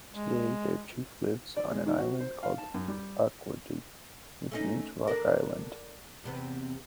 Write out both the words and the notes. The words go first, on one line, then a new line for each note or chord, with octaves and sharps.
Today their chief lives on an island called Acuadup, which means "rock island".
G#3
D5
G#3
D#3
F#4
C5
F5
A5
F#2
G3
A3 C#4 D#4
D4 A4 A#4
E2 C3 B3